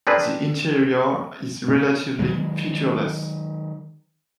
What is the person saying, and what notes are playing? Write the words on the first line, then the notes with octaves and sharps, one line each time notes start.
The interior is relatively featureless.
C4 D4 G#4 A#4 B4
D#3 F#3 G#3